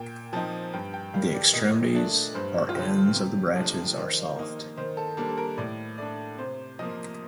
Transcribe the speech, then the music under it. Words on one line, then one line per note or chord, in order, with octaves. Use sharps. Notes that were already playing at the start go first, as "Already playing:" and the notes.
The extremities, or ends of the branches, are soft.
Already playing: A#2 G5
F3 C4 D#4 A5
G2 G5
G5
D#3 G3 F5
D5
A#2 D#5
A3 D4 D5
G2 C5
F4
D3 F3 G4
C3
F3 A3 D4
D#3 C5
A#3 D#4
D#3 C5
A4
G3 A#3 D4 A4
A4
A#4
A2 D5
A3 D4 D5
C3 C5
F3 A#3 D#5